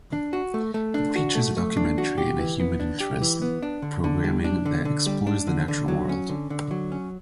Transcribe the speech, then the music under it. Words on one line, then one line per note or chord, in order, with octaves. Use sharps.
It features documentary and human interest programming that explores the natural world.
D4
F#4
A3
A3
D4
F#4
A3
A3
D4
F#4
G4
E3
B3
D4
G4
E3
B3
D4
D3
D3
G3
D4
D3
D3
G3
D4
D3
D3
F#3
C#4
D3
D3
F#3
C#4